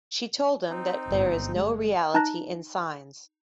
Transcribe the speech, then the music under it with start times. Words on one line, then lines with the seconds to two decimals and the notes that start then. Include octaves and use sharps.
She told them that there is no reality in signs.
0.69 C4 D#4
1.08 G1 G#2
1.54 G#3
2.14 D#4 A5 A#5 F#6 A#6